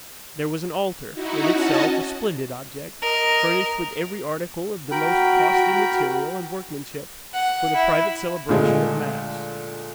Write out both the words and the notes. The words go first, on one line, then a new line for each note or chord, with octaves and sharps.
There was an altar, in itself a splendid object, furnished with every article of the most costly material and workmanship, for the private celebration of mass.
D#4 E4 F#4
C#4 F#4 D#5 A5
A#4 D#5
F#4 A#4 G5 B5
F#5
E4
A#2 D3 G#3 A3